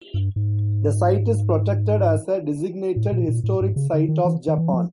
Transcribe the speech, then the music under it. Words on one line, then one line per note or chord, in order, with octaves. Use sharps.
The site is protected as a Designated Historic Site of Japan.
G2
G#2
A2
A#2
A#2
A2
G#2
C#3
D3
D#3
E3
D#3
E3
F#3
F3